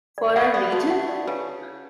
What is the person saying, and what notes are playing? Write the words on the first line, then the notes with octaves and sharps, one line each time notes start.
For our region?
D5
B3 F#5
B3 D5
A3 F#4
F#5
D5
C#3 B4